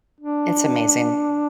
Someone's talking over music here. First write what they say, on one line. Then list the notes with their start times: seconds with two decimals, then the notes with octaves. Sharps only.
It's amazing.
0.21 D4